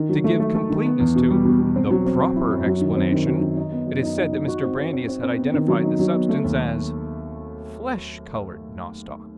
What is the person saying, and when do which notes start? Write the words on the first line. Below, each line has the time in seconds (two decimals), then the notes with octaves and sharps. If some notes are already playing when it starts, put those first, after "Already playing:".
To give completeness to "the proper explanation," it is said that Mr. Brandeis had identified the substance as "flesh-colored" nostoc.
Already playing: D#3
0.09 F#3
0.24 A3
0.40 A3
0.55 A3
0.70 D#3
0.85 B3
1.00 E2
1.15 B2
1.30 G3
1.45 B2
1.61 B2
1.76 C4
1.91 F#3
2.06 C4
2.21 C4
2.36 E4
2.51 F#2
2.66 F#3
2.81 D#3
2.96 C4
3.12 D#3
3.27 F#3
3.41 D#3
3.57 D#4
3.72 B3
3.87 F#2
4.03 D#4
4.17 D#4
4.33 D#4
4.48 F#4
4.63 C4
4.78 C4
4.93 C4
5.08 C4
5.23 C4
5.38 B3
5.53 D#3
5.68 F#3
5.84 D#4
5.99 F#3
6.14 B3
6.29 A3
6.44 D#2